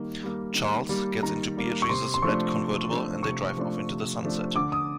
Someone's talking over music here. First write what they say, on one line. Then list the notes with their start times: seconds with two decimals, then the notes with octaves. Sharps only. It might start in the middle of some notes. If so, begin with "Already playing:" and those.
Charles gets into Beatrice's red convertible and they drive off into the sunset.
Already playing: D#3 G3 A#3
0.23 G3 A#3
0.55 D#3
0.89 G3 A#3
1.23 D#3 A#5
1.57 G3 A#3
1.82 C#6
1.89 C3 C6
2.14 C6
2.22 F3 A3 D4 C#6
2.56 C3
2.90 F3 A3 D4
3.23 C3 C#6
3.57 F3 A3 D4
3.89 C3
4.23 F3 A3 D4
4.56 D3 D6
4.72 D#6